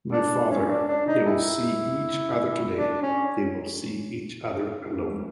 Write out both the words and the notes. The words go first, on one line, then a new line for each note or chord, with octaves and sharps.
My father, they will see each other today; they will see each other alone.
D4
C#4
D4
D4
D#4
E4
D4
C#4